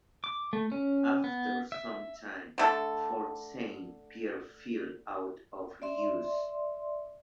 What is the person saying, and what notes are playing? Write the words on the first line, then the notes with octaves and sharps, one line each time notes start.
After some time, Fort Saint Pierre fell out of use.
D6
A3
C#4
B3
E5
D3 A3 A4
D5 E5 C6